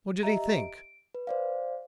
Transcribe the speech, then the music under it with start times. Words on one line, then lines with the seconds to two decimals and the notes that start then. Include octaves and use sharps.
What did he think?
0.23 G4 D#5 E5 A#5
0.56 D7
1.15 B4
1.27 C5 D5 F5